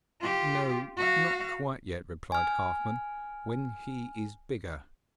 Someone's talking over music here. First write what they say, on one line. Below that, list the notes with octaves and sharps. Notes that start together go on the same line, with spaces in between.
'No, not quite yet,' replied Halfman; 'when he is bigger.'
F4 G4
F#4 F5
G#5 F6